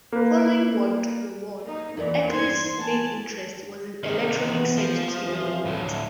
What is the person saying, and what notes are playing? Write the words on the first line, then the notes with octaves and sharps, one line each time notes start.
Following World War One Eccles' main interest was in electronic circuit development.
A#3 B4
A#3 D#4
E2 A#2 E3 E4 A#4 D5
G2 C5 C6 G#6
E3 B3 G#5 A5
C3 D#3
E3 B3
F3
F2 C#3 E3
D2 A2